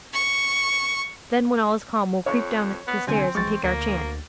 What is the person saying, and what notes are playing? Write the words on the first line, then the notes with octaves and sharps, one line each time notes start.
Then, when all is calm, we'll creep down the stairs and take our chance.'
C#6
F2 C#5 C#6
B3
C2 D3 C4 G#5
A1 G#3 C#6 A6
D2 A#3